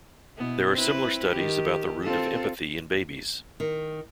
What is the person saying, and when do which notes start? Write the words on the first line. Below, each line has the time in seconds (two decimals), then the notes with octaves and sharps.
There are similar studies about the root of empathy in babies.
0.36 B2 B3 E4
0.72 C4 E4 B4
1.31 D#3 G4
2.03 C4 F4 A4
3.60 D#3